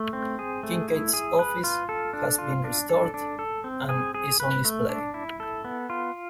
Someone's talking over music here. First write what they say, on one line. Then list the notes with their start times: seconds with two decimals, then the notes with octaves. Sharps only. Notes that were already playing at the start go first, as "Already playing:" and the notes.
Kinkaid's office has been restored and is on display.
Already playing: A3
0.13 C4
0.39 G#4
0.63 A3
0.89 E4
1.13 G#4
1.39 B4
1.64 F4
1.89 A4
2.13 D4
2.38 F4
2.64 D4
2.89 A4
3.14 D4
3.39 A4
3.64 C4
3.89 G#4
4.14 G#4
4.40 B4
4.65 A3
4.89 D4
5.14 E4
5.40 A4
5.65 B3
5.90 F4